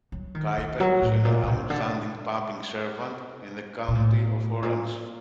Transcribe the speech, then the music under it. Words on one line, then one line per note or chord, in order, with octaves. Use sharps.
Kuyper was an outstanding public servant in the County of Orange.
F#3
D#3
D#3
F#3
A2
A#2
D3
C3
D3
A#2
A2
A#2